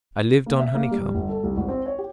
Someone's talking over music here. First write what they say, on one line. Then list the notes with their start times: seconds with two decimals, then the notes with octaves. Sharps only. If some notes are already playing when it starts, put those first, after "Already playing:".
I lived on honeycomb.
0.46 A#3
0.59 E5
0.75 A#3
0.91 G3
1.15 G1
1.29 A4
1.43 C2
1.57 G#1
1.69 C4
1.86 C#5
1.99 G4